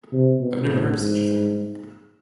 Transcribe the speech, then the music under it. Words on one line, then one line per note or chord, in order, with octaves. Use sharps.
I've never heard of such a thing.
C3
B2
A2
G#2